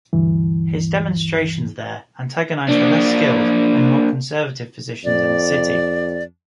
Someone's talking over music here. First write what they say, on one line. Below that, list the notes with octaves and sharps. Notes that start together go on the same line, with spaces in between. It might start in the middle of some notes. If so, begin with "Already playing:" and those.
His demonstrations there antagonized the less skilled and more conservative physicians in the city.
D2 G2 E3
A#3 D4
F2 D5